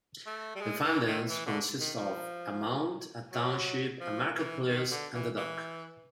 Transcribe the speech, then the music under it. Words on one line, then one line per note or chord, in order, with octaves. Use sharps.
The findings consist of a mound, a township, a marketplace, and the dock.
A3
G3
G#3
E3
D#3
E3
D3
D#3
F3
F#3
F3
E3
D#3
D3
E3
E3